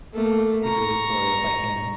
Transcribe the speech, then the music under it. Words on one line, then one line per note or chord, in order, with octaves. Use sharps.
people's story if I can.
A3 A#3
A#5 C#6